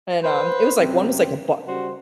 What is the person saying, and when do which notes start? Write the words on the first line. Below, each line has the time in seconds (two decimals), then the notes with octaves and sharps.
and, um, it was, like one was like a b
0.23 B4 C5
0.79 F#2 C3 C4
1.67 C#3 G3 F#4 C5